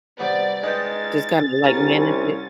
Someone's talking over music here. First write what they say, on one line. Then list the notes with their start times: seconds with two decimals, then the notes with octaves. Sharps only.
just kinda, like, manage it.
0.19 C3 G3 B3 D5 A6
0.63 G#3 D#4 B4 G5 A6
1.64 C2 C#4 A#4